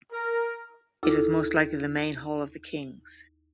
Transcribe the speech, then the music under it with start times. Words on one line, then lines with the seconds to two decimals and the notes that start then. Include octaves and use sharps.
It was most likely the main hall of the kings.
0.11 A#4
1.03 D#2 E4 F4 A4 D6